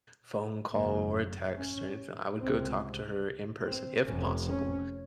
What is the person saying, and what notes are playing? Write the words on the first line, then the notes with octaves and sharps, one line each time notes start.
phone call or a text or anything, I would go talk to her in person, if possible,
G#1 F#2 C#3 A#3
C#4
C#2 C3 C4
C4
F1 F2 C3 C#4
C#4